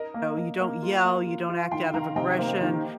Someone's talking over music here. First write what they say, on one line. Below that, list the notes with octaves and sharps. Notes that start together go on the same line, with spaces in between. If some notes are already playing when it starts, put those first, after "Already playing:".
you don't yell, you don't act out of aggression,
Already playing: A#4 D#5
A#3
A#3
A#3
F4
A#3
F4
F4
D#3 G5 C6
D#3 F5 A#5
C3 D#5 G5
A#3 C5 F5
D#3 G4